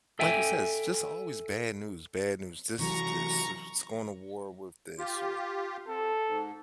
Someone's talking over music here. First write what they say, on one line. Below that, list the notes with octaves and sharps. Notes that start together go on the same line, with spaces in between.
like you said, "It's just always bad news, bad news." "This is this; s it's going to war with this," or
A4 E5 G5 G#5
C3 E3 F#3 A#5 C#6
F4 G4
C4 A4
G#2